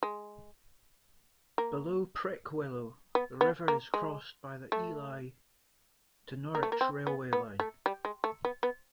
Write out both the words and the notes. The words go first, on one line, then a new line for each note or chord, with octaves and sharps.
Below Prickwillow, the river is crossed by the Ely to Norwich railway line.
G#3
A#3
B3
B3
A#3
G#3
A3
A#3
A3
A#3
C4
B3
B3
A3
G3
G#3
A3
B3
B3